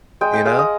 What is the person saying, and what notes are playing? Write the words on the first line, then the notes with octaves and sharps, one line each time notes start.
You know?
G#3 G5
G5
G#3 F5
D#5